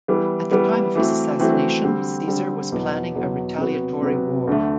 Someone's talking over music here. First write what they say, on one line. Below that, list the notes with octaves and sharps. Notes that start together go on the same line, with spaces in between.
At the time of his assassination, Caesar was planning a retaliatory war.
E3 G3 B3
E3 G3 B3
E3 A3 C4 F#4
E3 A3 C4 F#4
D3 G3 C4
D3 G3 C4
E2 B2 F#3 B3
E2 B2 F#3 B3
C3 F#3 B3 F#4
C3 F#3 B3 F#4
D2 D3 A3